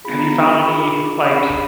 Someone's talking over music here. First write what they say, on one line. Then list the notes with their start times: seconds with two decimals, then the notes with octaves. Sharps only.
Have you found any like
0.05 B3 D4 F4 G#4 B5
0.19 A#5
0.35 A#5
0.49 B5
0.64 D4 F4 G#4 B5
0.84 D6
1.04 D6
1.23 D4 G#4 B5